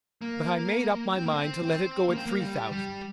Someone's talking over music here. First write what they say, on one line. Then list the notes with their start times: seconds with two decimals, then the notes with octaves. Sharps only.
But I made up my mind to let it go at three thousand.
0.21 A#3
1.15 C4
1.25 A#3
1.34 C4
1.62 C4
2.09 A#3
2.17 C4
2.26 A#3
2.40 G3
2.72 G3